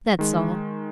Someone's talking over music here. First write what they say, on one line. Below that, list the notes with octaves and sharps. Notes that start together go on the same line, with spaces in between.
That's all.
D#3 G#3